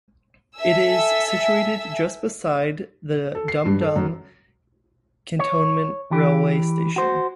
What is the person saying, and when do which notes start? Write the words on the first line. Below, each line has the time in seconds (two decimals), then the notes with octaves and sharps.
It is situated just beside the Dum Dum Cantonment railway station.
0.58 A4 E5 G#5 E6
3.35 A4
3.48 C7
3.65 G2
3.81 A4
3.96 F#2
5.39 C#5
6.11 E3 G4
6.96 F#4 C5